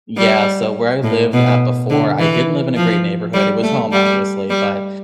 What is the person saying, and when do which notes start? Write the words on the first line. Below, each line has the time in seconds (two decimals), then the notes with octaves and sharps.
Yeah, so where I lived at before, I didn't live in a great neighborhood. It was home obviously, but
0.17 G3
1.04 A2
1.33 B2
1.90 D3
2.19 E3
2.76 F3
3.34 G3
3.63 A3
3.92 G3
4.50 G3